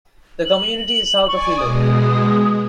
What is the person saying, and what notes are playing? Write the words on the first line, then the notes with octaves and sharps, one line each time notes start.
The community is south of Hilo.
F#7
D5 G#5 C#6
B2 G#3 D#6